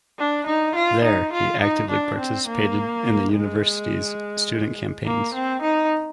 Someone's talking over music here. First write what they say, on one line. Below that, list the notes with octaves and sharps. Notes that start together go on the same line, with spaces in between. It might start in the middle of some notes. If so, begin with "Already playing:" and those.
There he actively participated in the University's student campaigns.
D4
D#4
F4
D#4
F4
D#4
D4
C4
A#3
G#3
A#3
C4
D#4